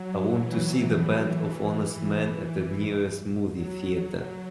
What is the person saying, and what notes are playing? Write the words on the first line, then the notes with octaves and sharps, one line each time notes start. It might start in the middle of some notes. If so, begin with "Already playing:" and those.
I want to see The Band of Honest Men at the nearest movie theatre.
Already playing: F#3
E3
F#3